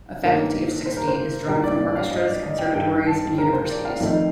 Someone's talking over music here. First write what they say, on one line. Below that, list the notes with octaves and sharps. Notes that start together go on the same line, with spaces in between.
A faculty of sixty is drawn from orchestras, conservatories, and universities.
G2 D#3 A#3
C5
A#4
C5
A#2 G3 D4 A#4
D5
F5
D#5
D5
D#5
G5
G2 D#3 G3 G5
A5
A#4
C5
D5
F5
F2 D#3 A3 D#4